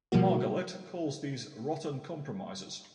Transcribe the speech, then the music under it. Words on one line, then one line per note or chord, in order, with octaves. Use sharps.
Margalit calls these rotten compromises.
B2 F3 G3 A#3 F#4